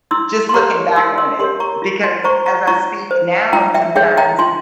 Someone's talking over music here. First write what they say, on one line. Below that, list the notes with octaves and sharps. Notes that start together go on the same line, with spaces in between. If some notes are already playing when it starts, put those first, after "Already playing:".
just looking back on it, because, as I speak now and sometimes
E4 C6 E6
C6
G4 A#4 C#5 A#5 C#6
E4 C6 E6
C6 E6
G4 A#4 C#5 G#5 C6
A#5 C#6
F4
G#5 C6
C5 A#5 C#6
A#5 C#6
F4 A#5 C#6
C5
F4 G5 A#5
E5 G5
G#4 C#5 E5 G5
G5 A#5
F4 G#5 C6